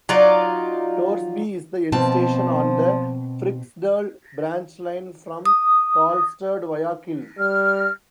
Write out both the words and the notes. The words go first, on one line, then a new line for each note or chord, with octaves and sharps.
Torsby is the end station on the Fryksdal branchline from Karlstad via Kil.
F#3 D#4 F4 D5
B2 F3 C4 A5
D#6
G3 F6